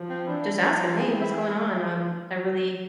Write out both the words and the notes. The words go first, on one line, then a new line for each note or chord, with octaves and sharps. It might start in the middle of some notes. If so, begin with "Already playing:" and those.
just ask him, "Hey, what's going on? Um, I really
Already playing: F3
C4
E3 D4
F3 D4
F4
F4
E3 G#4
C4
E4
G#4